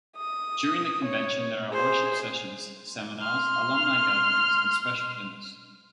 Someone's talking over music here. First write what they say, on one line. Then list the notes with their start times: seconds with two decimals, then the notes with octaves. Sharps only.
During the convention, there are worship sessions, seminars, alumni gatherings, and special dinners.
0.17 D#6
1.06 C#5
1.72 G#4 C5
3.22 C6 F6